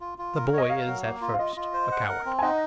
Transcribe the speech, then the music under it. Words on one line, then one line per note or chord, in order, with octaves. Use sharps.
The boy is at first a coward.
F4
F4
A#4
C#5 D#5
A#4 F5
F#3
A#3
F4
F5
F4 D#5
F4
C5
F#5
A#4
C4
G#5
D#4 D#5 F#5